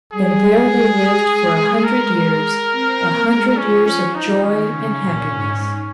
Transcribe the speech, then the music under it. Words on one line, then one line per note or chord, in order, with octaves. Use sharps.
And there they lived for a hundred years, a hundred years of joy and happiness.
G3 G#4
G#3
A#4
C4
A#3
G#3
F3 C#4
C#4
D#4
D#3 C#4
C#3
A#2
G#2